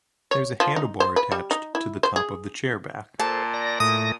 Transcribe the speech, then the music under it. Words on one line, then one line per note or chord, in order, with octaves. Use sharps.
There is a handlebar attached to the top of the chair back.
C#5
F3
D#4
C5
B4
G3
D#4
E4
C5
G#4
A#2 A4 C5 A5
D5 A#6
A2 A3 D#6 A#6